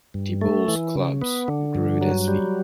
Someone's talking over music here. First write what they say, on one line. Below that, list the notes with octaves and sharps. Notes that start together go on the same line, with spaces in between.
De Boules clubs Grude, Sv.
G2
A3
E3
C#3
B3
D3
G2
F#3
G3